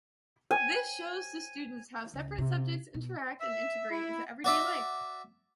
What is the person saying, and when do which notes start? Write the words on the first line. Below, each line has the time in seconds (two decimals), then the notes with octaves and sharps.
This shows the students how separate subjects interact and integrate into everyday life.
0.51 G#5
2.14 C#2
2.38 C3
2.94 B2
3.41 E5
3.90 E4
4.44 F#4 D5 E5